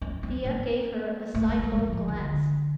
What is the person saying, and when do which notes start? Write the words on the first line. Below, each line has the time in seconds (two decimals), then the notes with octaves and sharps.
Thea gave her a sidelong glance.
0.01 C#4
0.23 C4
0.45 A#3
1.35 A3
1.49 A3
1.64 G#3
1.79 F3
1.93 F3
2.08 D#3
2.23 D3